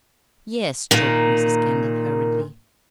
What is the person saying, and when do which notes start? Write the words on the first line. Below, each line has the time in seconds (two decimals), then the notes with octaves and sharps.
"Yes," choked Mrs. Kendall, hurriedly.
0.91 A#2 D#3